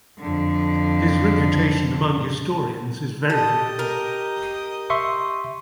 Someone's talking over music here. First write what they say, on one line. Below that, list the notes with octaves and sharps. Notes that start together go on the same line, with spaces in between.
His reputation among historians is very low.
F2 D3
G4 A4 D#5
A#4
E5 C6 C#6